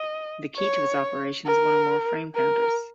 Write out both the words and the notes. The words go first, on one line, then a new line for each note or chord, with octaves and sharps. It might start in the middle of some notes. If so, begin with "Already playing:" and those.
The key to its operation is one or more frame counters.
Already playing: D#5
C#5
A#4
A#4